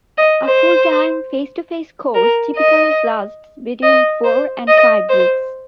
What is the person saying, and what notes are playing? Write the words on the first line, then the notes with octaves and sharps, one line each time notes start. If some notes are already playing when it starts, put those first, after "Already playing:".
A full-time, face-to-face course typically lasts between four and five weeks.
D#5
C5
A#4
D#5
D#5
C5
D#5
C5